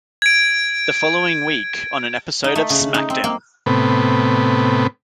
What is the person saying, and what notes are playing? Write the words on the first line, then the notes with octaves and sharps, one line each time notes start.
The following week on an episode of SmackDown!
G#6 D7
D#4
A3
C#3
D#4
C4
A#3
A2 C3 B3